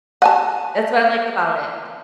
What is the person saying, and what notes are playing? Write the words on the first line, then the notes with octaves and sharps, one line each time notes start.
That's what I like about it.
F#5 G#5 A5